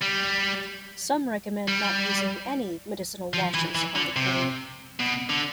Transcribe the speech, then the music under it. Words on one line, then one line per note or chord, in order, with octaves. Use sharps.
Some recommend not using any medicinal washes on the cord.
G3
G3
F3
E3
E3
D3
C3
B2
D3